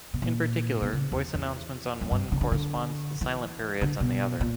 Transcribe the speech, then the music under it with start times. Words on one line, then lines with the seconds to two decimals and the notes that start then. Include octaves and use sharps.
In particular, voice announcements on one correspond to silent periods on the other.
0.14 B2
0.22 A#2
0.82 B2
0.93 C#3
1.12 E2
1.34 E2
2.01 F#2
2.11 G2
2.32 C#3
2.41 D3
2.52 D3
3.21 E3
3.81 D3
4.00 B2
4.41 A#2